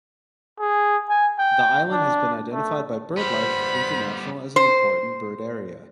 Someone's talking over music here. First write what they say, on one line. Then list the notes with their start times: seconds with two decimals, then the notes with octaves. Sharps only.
The island has been identified by BirdLife International as an Important Bird Area.
0.59 G#4
1.09 G#5
1.39 G5
1.92 D4
2.53 A3
3.17 G3 B3 C5 B5
4.56 C5